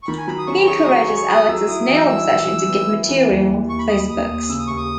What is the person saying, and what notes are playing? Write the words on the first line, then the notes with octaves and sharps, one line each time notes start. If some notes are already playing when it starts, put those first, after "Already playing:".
He encourages Alex's snail obsession to get material for his books.
C#6
D#3 B5
G#5
F#3 B5
D#6
C#4 C#6
B5
G#4 C#6
D#6
F#3 C#6
G#4
C#6
G#4 D#6
F#3 E6
E4 D#6
D#6
E3
E6
E4 E6
E3
E3
B3
E4
E3
D#2
D#2
D#2 C#6
B5
D#2 D#6
B5
D#2 D#6
D#2
C#3 E6
D#6
D#2 C#6
D#6